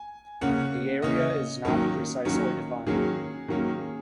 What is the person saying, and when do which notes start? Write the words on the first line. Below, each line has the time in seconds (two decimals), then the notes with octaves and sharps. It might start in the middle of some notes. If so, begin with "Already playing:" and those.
The area is not precisely defined.
Already playing: G#5
0.41 C#3 A#3 C#4 F#5
1.02 C#3 A#3 C#4 D#5
1.65 D#3 F#3 A#3 C#4
2.25 D#3 F#3 A#3 C#4
2.86 D#3 F#3 A#3 C#4 G#4
3.48 D#3 F#3 A#3 C#4